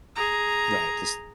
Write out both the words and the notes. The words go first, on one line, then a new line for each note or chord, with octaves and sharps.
Right, this
G#4 A#5